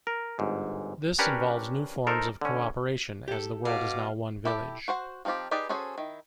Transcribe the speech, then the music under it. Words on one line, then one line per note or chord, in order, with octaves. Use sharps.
This involves new forms of cooperation as the world is now one village.
A#4
G1 G#2
C#4 D4 G4 A#4 B4 C#5
D#4 A4 A#4 C5
D3 C#4
G4 A4
B2 F5 D6
E4 G4 A4
F#4 C5 F#5
F3 C4 D#4 F4 G4
D#4 G4 G#4 B4 D5
C#4 F#4 G#4 A4 C5
D#3 E4